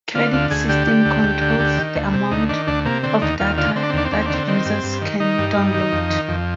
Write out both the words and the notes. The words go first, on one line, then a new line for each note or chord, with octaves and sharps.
Credit system controls the amount of data that users can download.
D3 F4
D2 F4
D2 G#4
D3 G4
D3
D2
D2
D3
D2
D#3
D2
C3
D2 D#4
D#3 D4
D2 D4
C3 A#3
D3 C4
D#2 D#4
D#2 F4
D3 F4
D3 C4
D4
C4
D#2 D4
C4
D#2 D4
C4
D4
D3 C4
D#3 C4
G2
G2
D#3
D#3 D#4
G2
G2
D#3
F2
D#3
F2